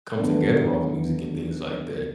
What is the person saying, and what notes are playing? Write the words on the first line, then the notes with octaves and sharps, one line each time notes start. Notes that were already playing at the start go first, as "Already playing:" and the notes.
come together off music and things like that,
D#3 F#3 G#3 A3 B3 D4